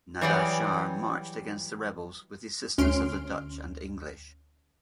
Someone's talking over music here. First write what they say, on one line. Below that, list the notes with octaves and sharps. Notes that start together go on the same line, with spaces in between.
Nader Shah marched against the rebels with the assistance of the Dutch and English.
E3 F#3 G3 G4 G#4 D5
D2 C#4 C6 F6 D7